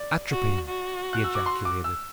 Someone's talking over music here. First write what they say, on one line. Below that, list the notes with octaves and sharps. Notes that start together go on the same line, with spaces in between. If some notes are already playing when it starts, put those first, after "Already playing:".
"Atropin!" he ejaculated.
Already playing: D5
F#4
F#4
F#6
E6
D6
C6
D6
E6